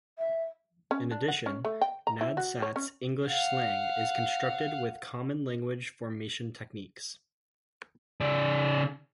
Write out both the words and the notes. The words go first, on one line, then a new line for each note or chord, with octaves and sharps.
In addition, Nadsat's English slang is constructed with common language-formation techniques.
E5
C#4
D4
F#5
C#4
A3
G5
A#5
E4
F#4
C#5
C#4
F5 F#5
C#3 D5